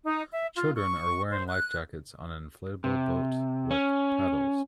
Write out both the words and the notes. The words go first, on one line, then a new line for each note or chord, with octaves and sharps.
Children are wearing lifejackets on an inflatable boat with paddles.
D#4
E5
F4
C#6
C5
F#6
C3
C#4